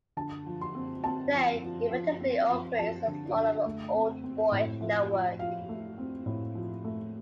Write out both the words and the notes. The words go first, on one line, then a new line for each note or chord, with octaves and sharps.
Today it effectively operates as more of an old boy network.
D3 A5
F3
C6
C4
C4 A5
F3
F3
F3
C4
F3
F3 A5
D3
D3
A3
C4
C4
A2
F3
F3
F3 F5
A3
C4
A2
F3
A3